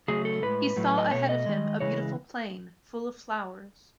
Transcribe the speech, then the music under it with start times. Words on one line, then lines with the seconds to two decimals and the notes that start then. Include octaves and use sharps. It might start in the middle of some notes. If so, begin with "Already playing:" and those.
He saw ahead of him a beautiful plain full of flowers.
0.08 C#3 F#3 A3 G#4
0.25 A4
0.42 A2 G#3 B4
0.76 A2 F#3 A3
0.98 D#5
1.11 B2 A3 C#5
1.29 D#5
1.46 D#3 G#3
1.80 C#3 E3 G#3 C#5